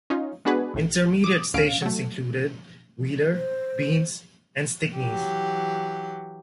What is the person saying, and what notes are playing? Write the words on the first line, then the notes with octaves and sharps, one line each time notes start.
Intermediate stations included Wheeler, Beans, and Stickneys.
C#4 D#4 F4
G#3 B3 D4 F#4 G#4 B4
A1 A2
D6 D#6
D2 A2 C#4 F5 D7
F#3 A3
C5
E3 F#3 G4